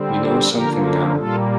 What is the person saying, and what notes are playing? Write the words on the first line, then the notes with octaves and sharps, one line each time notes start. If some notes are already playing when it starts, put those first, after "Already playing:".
We know something now.
Already playing: D3 G3 C4
D3 F3 A#3 G4 A#4
A#2 G3 A#3 F4 A4